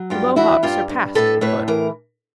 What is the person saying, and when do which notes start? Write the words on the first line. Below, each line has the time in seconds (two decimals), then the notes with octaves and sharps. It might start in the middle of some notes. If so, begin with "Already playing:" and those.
The Mohawk surpassed the Fun.
Already playing: F#3
0.10 G2 F4 G4
0.36 E3 E4 F#4
0.63 G2 F4 G4
0.89 G2
1.15 A2 A4 B4
1.41 A2 B4 C#5
1.68 E3 A#4